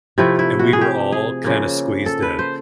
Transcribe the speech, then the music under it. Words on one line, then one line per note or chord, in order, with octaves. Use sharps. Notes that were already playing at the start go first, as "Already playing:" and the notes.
and we were all, kinda squeezed in,
C3 F3 A3 E4
E4
F#4
G#4
G4
G#4
C#3 F3 A#3
A4
B4
C5